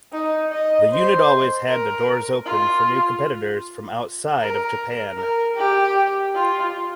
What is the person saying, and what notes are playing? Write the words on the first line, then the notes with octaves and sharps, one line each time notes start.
The unit always had their doors open for new competitors from outside of Japan.
D#4
D#5
C5
A#4
F4
A#4
A#4
G4
F4